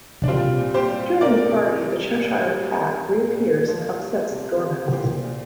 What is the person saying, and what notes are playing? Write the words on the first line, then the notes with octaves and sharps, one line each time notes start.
During the party, the Cheshire Cat reappears and upsets the Dormouse.
D4
G3 C4 F4
A#2
G4 C5
G3
C3 A#4 D5
C3
G3
A#2
G3
G3
A#2
A#2
F3
G3
C3
C3
A#2 G4 C5
A#2